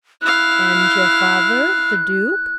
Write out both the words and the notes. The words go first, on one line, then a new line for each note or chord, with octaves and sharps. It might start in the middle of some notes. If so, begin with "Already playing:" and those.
"And your father--the Duke?"
E4 F5 F#6